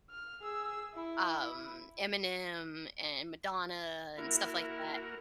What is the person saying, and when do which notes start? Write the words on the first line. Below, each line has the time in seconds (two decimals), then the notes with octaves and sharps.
um, Eminem and Madonna and stuff like that.
0.11 F6
0.42 G#4 E6
0.95 E4
4.18 A#3 E4 F#4 A#4